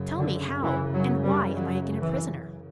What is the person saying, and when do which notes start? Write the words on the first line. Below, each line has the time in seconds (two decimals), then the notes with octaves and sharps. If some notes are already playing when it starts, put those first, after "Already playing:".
"Tell me how and why am I again a prisoner?"
Already playing: F#2 C#3
0.17 D3
0.63 E3
0.94 F#3
1.24 G3
1.56 F#3
2.01 E3